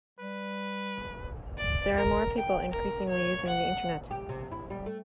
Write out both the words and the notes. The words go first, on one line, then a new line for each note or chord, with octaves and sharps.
There are more people increasingly using the internet.
G3 B4
D5
A#4
G5
A#4
C#5
F#5
G4
C3
E4
G3
A3